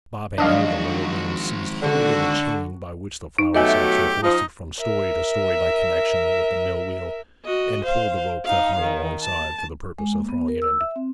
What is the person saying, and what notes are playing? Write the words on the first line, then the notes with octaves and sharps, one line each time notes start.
Bob had entered the lower room, seized hold of the chain by which the flour-sacks were hoisted from story to story by connexion with the mill-wheel, and pulled the rope that hung alongside for the purpose of throwing it into gear.
D#3 F3 F#3 G#3 D4 F#4 D#5 F5
D3 F#4
D#4
B2 F#3 A3 G4 D#5 E5 G#5
E5
F3 D#4
A#4 E5
F#4 D#5
C5 F5
D#4 F5
D#3
A5
G#3
A#3
B3
A#4
E6
E5
C4